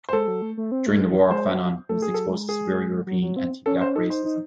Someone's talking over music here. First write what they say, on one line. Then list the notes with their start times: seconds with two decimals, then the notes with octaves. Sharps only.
During the war, Fanon was exposed to severe European anti-black racism.
0.09 C5
0.12 G#3 A4
0.28 F#3
0.42 A3
0.57 A3
0.72 C4
0.86 A3
1.01 G#3
1.11 E3
1.16 F#3
1.30 G#3 C5
1.51 F#3
1.89 A3 A4
2.02 G#4
2.09 F#3
2.14 A4
2.29 G#3
2.49 G#4
3.07 F#3
3.22 F#3
3.37 C4
3.66 C#4 A4
3.81 C5
3.96 D#4 A4
4.10 C5
4.25 D#4